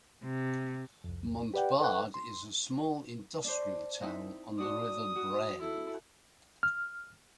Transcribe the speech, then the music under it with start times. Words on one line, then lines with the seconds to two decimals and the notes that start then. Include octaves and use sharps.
Montbard is a small industrial town on the river Brenne.
0.24 C3
1.04 C2 F2
1.54 G4 B4 D5 F#5 G5
1.80 A4 B4 F#5 G5 F#6
2.14 C6
3.44 D4 C5
4.00 C4 D#4 E4
4.58 D4 F#4 D#6
5.16 F#4
5.59 E4 A4
6.63 F6